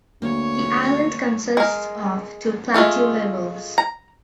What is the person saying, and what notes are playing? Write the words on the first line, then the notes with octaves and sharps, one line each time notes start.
The island consists of two plateau levels.
D2 A#3 C#5
G#3 A#4
G#3 A3 F4 A4
A#5